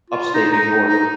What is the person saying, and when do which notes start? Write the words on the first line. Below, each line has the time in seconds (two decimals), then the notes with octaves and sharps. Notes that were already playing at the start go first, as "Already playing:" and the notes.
Upstate New York,
0.10 F4
0.34 D#4
0.52 D#4
0.89 D#4